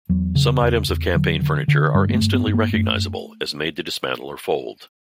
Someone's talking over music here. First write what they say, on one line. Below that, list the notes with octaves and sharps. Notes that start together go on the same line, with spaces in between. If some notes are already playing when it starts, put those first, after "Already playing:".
Some items of campaign furniture are instantly recognizable as made to dismantle or fold.
E2 F#3
C#3
E2
E2
D3 F#3
D3
D3
G2 G3
A#3
A3
G2
B3
G2
A#3
F#2 A3